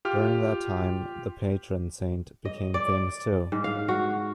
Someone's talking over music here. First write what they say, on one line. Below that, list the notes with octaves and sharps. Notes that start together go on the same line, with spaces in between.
During that time the patron saint became famous too.
F4 G4 F6
D#5
D5
G#2
F5
F#4